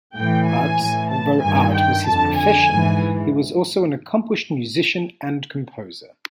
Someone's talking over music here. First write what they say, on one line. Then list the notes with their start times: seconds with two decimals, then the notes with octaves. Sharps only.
But, although art was his profession, he was also an accomplished musician and composer.
0.14 A2 E3 G5
0.47 G#5
0.78 A2 E3
1.10 A5
1.42 G2 D#3 G#5
1.74 G5
2.06 F2 D3 A5
2.37 G#5
2.70 G#2 E3